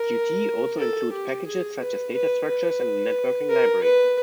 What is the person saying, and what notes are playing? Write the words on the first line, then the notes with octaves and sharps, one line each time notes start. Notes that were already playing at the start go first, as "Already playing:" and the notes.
Qt also includes packages such as data structures and a networking library.
Already playing: A#4
A4
G4
G#4
B4
B4
B4
A#4
B4